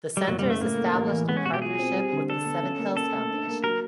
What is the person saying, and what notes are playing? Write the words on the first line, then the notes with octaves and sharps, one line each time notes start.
The Centre is established in partnership with the Seven Hills Foundation.
G3
F#1 F#3
G3
C#3
A3
A2 A#3
A3
A1
E3
G#3 B3
C#4
B2 F#4
G4
F4 G#4
C4
G3
D3
D4 A4
B3
C#4
A#3
C#4 A4
A3
D4
A#3
F#3 A#4